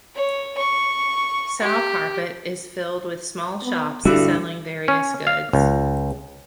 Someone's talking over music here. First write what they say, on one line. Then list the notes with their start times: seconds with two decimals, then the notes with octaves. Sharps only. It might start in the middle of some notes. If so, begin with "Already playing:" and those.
Sowcarpet is filled with small shops selling various goods.
0.15 C#5
0.57 C#6
1.61 G4
3.63 B3
4.05 G2 D3 G3 E4 F#4 A4
4.88 C#4
5.27 F5
5.53 C#2